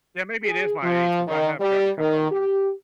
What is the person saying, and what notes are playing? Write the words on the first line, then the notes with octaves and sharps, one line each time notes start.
Yeah, maybe it is my age 'cause I have gotten kinda older.
G#4
F3
D#3
G3
D#3
G4